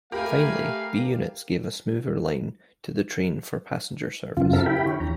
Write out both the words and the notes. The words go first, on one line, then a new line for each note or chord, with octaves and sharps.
Finally, B units gave a smoother line to the train for passenger service.
A3 G4 A#4 F5 G#5 B5
F#2 C#3 F4
C4 F4 A4 A#4 E5 F5
E4 G4 G5 B5
D3 C#5
E2 A#5